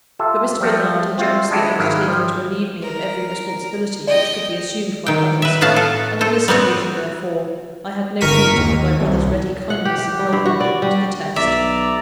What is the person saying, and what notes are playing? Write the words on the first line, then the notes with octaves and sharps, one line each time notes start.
But Mr. Bernard had generously undertaken to relieve me of every responsibility which could be assumed by others; and on this occasion, therefore, I had no need to put my brother's ready kindness in helping me to the test.
F4 G4 A4 E5
F3 G3 A3 F#4
C4 F4 F#4 E5
G#3 D4 E4 F#4 G4 A4
G#1 G#2 D#3 F#3 E4 F5
F3 G3
A#4
D5 D#5 G5
D#3 G5
B4 E5
A2 B3 F#4 F5 A5
A4
A4 C5
G3 B3 C4 F#4
G1 A#4 C#6 B6 D#7
D#2
C2
F#5
G4
G4
G3
G2
F#4
D5
G3
B1 D5 E5 A#5